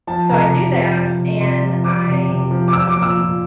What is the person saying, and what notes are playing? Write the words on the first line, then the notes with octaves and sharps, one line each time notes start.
So, I do that, and I, um,
F3 A5
C3 A#5
C3
F3
F3
C3
C3 C6
F3
F3 D6
C3
C3
F3
D6
F3 E6
D6
A#2
E6
A#2